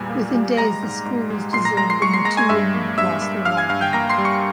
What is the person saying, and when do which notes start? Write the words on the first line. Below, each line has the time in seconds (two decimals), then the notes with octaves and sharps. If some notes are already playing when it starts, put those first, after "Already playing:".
Within days the school was deserted and the two women had lost their livelihood.
Already playing: E2 A#2 G3 G#5
0.10 A#3
0.34 G3
0.57 G#3 A#5 A#6
0.82 G#2
1.05 G#2
1.30 G#3
1.53 A#2 C6 C7
1.65 A#5 A#6
1.77 G#3 A#5 A#6
1.90 C6 C7
2.02 G#3 C#6 C#7
2.13 C6 C7
2.25 G#3 A#5 A#6
2.37 G#5 G#6
2.49 G2 E5 E6
2.74 A#3
2.98 G2 E5 E6
3.22 G2
3.45 G2 F5 F6
3.57 G#5 G#6
3.69 G2 F5 F6
3.81 G5 G6
3.93 A#3 A#5 A#6
4.09 C6 C7
4.18 G3
4.25 C#6 C#7